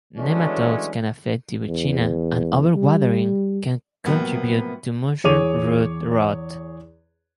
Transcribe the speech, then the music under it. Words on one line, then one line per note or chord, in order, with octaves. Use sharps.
Nematodes can affect "Tibouchina" and over watering can contribute to mushroom root-rot.
E3 F#3 G#3 A3 C#4 D4
E2
G3
A2 C3 F3 F#3 A#3 B3
E2 G#4 C#5 D6 D#7 F7